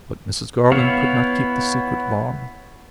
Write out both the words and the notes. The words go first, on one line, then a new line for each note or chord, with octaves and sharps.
But Mrs. Garland could not keep the secret long.
B3 E4 C#5 F5